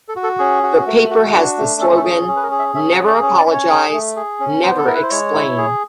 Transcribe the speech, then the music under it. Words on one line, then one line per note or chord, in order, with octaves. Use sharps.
The paper has the slogan "Never Apologise, Never Explain!".
A4
F#4
A4
C#4 G#4
F#4
A3
F#4
D4
A3
C#4 A4
A4
G#4
C#4
B4
A#4
G#4
E5
C#4 E5
F5
G#4
D5
C#4
D5
C#4
C#5
G#4
A3
G#4
C#4
B3 C5
A4
E4 A#4
B4
C5
G#3 C#5
E4
G#4